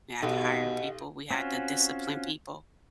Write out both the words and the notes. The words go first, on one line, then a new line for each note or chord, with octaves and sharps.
we had to hire people, we had to discipline people,
B1 B2 D#4 G4 D#5 F5 F#5
C4 C#4 F4 F#4